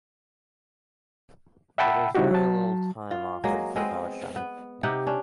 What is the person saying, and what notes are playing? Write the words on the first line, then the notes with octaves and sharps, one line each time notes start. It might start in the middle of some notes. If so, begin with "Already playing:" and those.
So, there is very little time offered for 'Darshan'.
E5 F#5 G5 A5 B5 E6
C#3 G3 D#4 E4 F#4 G4
F#3 A5
F4
F#3 G#3 A#3
G#3 B3 C4
B3
C3 D#4 G4 F#5
C#4 D4